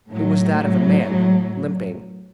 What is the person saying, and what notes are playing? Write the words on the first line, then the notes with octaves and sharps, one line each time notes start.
It was that of a man, limping.
A2 F#3